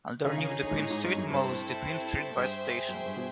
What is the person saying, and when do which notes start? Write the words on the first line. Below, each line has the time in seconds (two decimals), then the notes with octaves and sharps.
Underneath the Queen Street Mall is the Queen Street Bus Station.
0.25 C#3 D#4 G#4 C#5
0.38 C#3
0.51 D#3
0.64 D3
0.71 G#2
0.78 A2
0.90 G#2
1.04 G2
1.17 F#2
1.30 G2 C4 E4 A4 C5
2.35 G2 G#4 C5 E5 G5
2.88 F#2
3.06 G2
3.16 B2